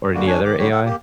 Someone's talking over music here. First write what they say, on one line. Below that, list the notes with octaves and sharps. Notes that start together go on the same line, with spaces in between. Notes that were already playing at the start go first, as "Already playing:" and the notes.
or any other AI?
G2 D3 G3 A3 A#3 F#4
D4 C#5 G#5
D#3 D6
D3 F#3 G3 G4 C#5
A4 F#5
A#3 G4